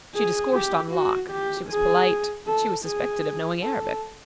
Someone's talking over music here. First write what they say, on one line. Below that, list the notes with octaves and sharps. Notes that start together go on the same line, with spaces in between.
She discoursed on Locke; she was polite; she was suspected of knowing Arabic.
G#4
G4
F#4
G4
G#4
A4
G#4
A4